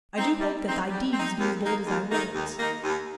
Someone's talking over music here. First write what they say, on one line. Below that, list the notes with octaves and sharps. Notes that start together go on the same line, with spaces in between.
"I do hope that thy deeds be as bold as thy words."
C4 D#4
G3
C4 D#4
G3
C4 D#4
D#2
D#3 A#3 D#4
D#2
D#3 A#3 D#4
D#2
D#3 A#3 D#4
D#2